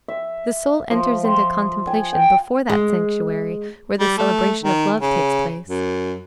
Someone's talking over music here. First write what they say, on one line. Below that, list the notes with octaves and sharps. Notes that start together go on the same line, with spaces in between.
The soul enters into contemplation before that sanctuary where the celebration of love takes place.
E5
F3
C6
G#5
G5
G#3
G3
A3
D#3
C#3
F#2